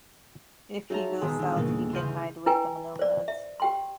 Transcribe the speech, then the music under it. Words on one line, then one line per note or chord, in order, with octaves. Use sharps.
If he goes south, he can hide with the nomads.
F#3 D#4 F4 G#4 E5 A5 A#5
D#1 B2 D#3 G#3 D#6 E6
G1 D#3
D#2 A#2 C#3 E3 A#3
G1 C#3 E3 C6 F6 G6 D#7
E4 B4 G5 G#5
C5 D5
E5
G4 G5 C6